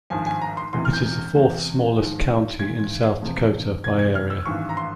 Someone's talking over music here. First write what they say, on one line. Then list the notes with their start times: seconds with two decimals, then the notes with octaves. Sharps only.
It is the fourth-smallest county in South Dakota by area.
0.10 G#1 G2 F3 G#5
0.26 G#5
0.41 A#5
0.57 C6
0.73 E1 E2 C3 E3 C6
0.85 F6
0.93 G6
1.35 E2 C3 E3
1.97 G#1 G#2 F3
2.59 G#1 G#2 E3 G#6
3.22 E1 E2 C3 F3
3.84 F1 F2 E3 G#6
3.99 G#6
4.15 F6
4.30 E6
4.45 G#1 G2 E3 C#6
4.69 A#5
4.77 C6